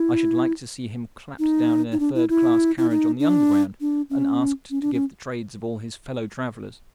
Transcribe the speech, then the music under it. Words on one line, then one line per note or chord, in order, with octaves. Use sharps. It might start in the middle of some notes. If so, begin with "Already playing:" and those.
I should like to see him clapped down in a third class carriage on the Underground, and asked to give the trades of all his fellow-travellers.
Already playing: E4
D#4
D#4
D4
E4
E4
E4
D#4
D4
D4
C#4
C#4
D4
C#4